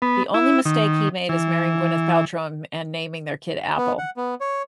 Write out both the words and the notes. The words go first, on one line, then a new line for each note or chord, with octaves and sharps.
The only mistake he made is marrying Gwyneth Paltrow and and naming their kid Apple.
B3
E4
D#3
E3
B3
F#5
B3
C#5